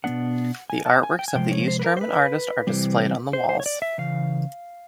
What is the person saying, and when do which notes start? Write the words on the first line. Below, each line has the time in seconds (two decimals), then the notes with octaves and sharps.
The artworks of East German artist are displayed on the walls.
0.04 B2 G3 B3 D4 F#5
0.70 G#5
0.86 A5
1.03 G#5
1.19 G5
1.28 G#5
1.35 C3 F3 G#3 G5
1.52 C#5
1.68 C5
1.79 B4
1.84 A#4
1.97 C5
2.01 B4
2.67 C3 E3 G3 C4
3.33 C5
3.49 C5
3.60 C#5
3.66 D5
3.82 E5
3.98 C#3 E3 F5